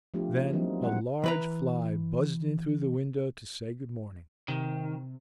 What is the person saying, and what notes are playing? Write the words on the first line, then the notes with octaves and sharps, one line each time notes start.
Then a large fly buzzed in through the window to say good morning.
F3 A3 B3 D4 F4 G4
F#3 G3 A#3 C4 D4 D#4
A#2 G#3 C5 F#5
E3 B4 A#5
C3 D#3